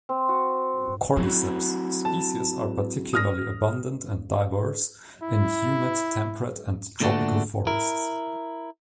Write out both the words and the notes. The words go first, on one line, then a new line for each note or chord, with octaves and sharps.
"Cordyceps" species are particularly abundant and diverse in humid temperate and tropical forests.
C4
F#4
F#3 C4 E4 F#4
A5
D#6 F6 A#6
E4
A#2 D3 A3 D4 F#4
E4 A#4